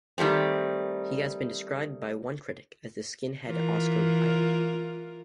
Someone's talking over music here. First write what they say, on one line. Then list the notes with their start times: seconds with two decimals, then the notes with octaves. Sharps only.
He has been described by one critic as "the skinhead Oscar Wilde".
0.18 D#3 G3 A3 C4
3.45 E3 F4 A#4